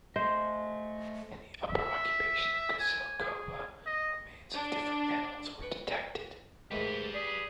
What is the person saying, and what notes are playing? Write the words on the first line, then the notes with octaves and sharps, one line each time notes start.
In the upper occupation of Kizil Koba remains of different animals were detected.
A3 C5 D#5
E5
G#5
G#4
D#5
D4
B4 G5 C#6
G#2 D#3 A3 G4 B4
G#4 D5